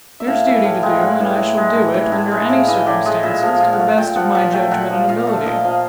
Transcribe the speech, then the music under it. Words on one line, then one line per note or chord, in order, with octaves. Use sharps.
There's duty to do, and I shall do it, under any circumstances; to the best of my judgment and ability.'
E5
A2 F5
E3 E5
A2 F5
G#3 G5
A2 F#5
E3
A2
G#3
A2
E3
A2
G#3
A2 F5
E3 D#5
A2 D5
G#3 D#5
A#2 E5
F3
F5
A#2
F#5
A3
A#2 G5
F3 F#5
A#2 F#5
A3 G5
A#2 F#5
F3
A#2 F5
A3
A#2 D#5
F3